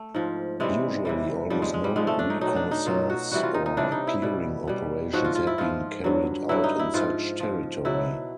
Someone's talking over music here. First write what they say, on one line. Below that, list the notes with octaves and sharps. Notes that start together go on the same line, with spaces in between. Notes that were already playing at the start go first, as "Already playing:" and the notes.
Usually almost no reconnaissance or clearing operations had been carried out in such territory.
Already playing: A3
G#2 F3
C3 E3 G3 G#3
C3 E3 G3
G#2 F3 G3
G#3
G#3
G3
G#2 F3 G#3
A3
D4
D#4
B2 F#3 D#4
D4
D#4
B2 F#3 F4
F#4
C3 E3 G3 F#4
F4
D#4
D#4
C3 E3 G3 D4
D#4
E4
B2 G3
B2 G3
G#2 F3 F#4
F4
F4
E4
G#2 F3 F4
G2 D3 F#3
G2 D3 F#3 E4
D#4
E4
G#2 F3 F4
G#2 F3
B2 F#3 E4